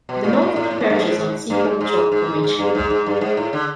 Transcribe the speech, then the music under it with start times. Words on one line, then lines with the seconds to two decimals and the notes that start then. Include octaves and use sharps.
The north of the parish is on the Seaford Chalk Formation.
0.09 B2
0.24 A#2
0.33 A2
0.41 A#2
0.56 A2
0.71 A2
0.80 G#2
0.90 G2
0.99 G#2
1.50 G2
1.64 G#2
1.81 G#2
2.12 G#2
2.43 G#2
2.59 G2
2.75 G#2
2.90 G#2
3.06 G2
3.21 G#2
3.37 A2
3.53 D3